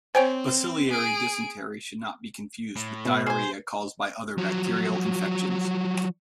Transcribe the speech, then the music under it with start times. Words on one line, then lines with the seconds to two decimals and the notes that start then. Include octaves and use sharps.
Bacillary dysentery should not be confused with diarrhea caused by other bacterial infections.
0.15 C4 C5 C#5 G5 G#5
0.89 G#4 D7
2.76 A2
3.05 B2
3.26 G#4 C5 G#5
4.38 F3 F#3